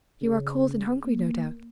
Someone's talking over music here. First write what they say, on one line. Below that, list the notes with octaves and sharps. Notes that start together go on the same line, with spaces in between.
You are cold and hungry, no doubt.
C#3
A#3